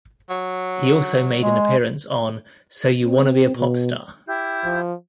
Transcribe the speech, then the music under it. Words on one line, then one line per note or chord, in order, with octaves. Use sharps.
He also made an appearance on So You Wanna be a Popstar?
F#3
G#3
C4
B2
E4 G4 G6
F3